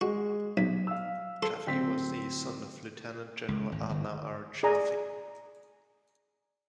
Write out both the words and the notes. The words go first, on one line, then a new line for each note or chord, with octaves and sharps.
Chaffee was the son of Lieutenant General Adna R. Chaffee.
G#3 F#4
B1 B6
F5 E6
A4 C6
D1 C4 B6
C#2
G#1
G1
G#4 D5 G#5 A#5 D#6